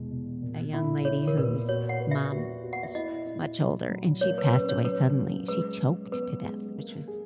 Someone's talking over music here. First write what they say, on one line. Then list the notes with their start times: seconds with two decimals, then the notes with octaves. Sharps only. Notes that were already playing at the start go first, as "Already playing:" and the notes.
a young lady whose mom is much older and she passed away suddenly. She choked to death, which was
Already playing: E2 B2 G#3
0.11 B2
0.42 A#2
0.73 E4
1.05 E4 C#5
1.27 A#4
1.37 A#2 B4
1.68 F#4 C#5
1.89 F#5
2.00 B4
2.11 E5
2.32 F#4
2.63 F#4
2.73 F#5
2.83 E5
2.95 E4 D#5
3.27 E4
3.59 F#3
3.90 F#3
4.21 A#3 C#5
4.38 B4
4.53 C#4 B4
4.69 C#5
4.85 F#3 B4
5.17 C#4
5.48 G#3 B4
5.80 G#3
6.12 B3 B4
6.43 G#3
6.76 A#3
7.08 G#4